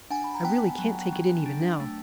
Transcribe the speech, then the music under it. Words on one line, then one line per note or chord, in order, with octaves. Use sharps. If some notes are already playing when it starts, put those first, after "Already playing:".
I really can't take it in even now....
D4 F#5 G#5
B5
A#5
B3 G5 A5
F#3
F#3
D4
A3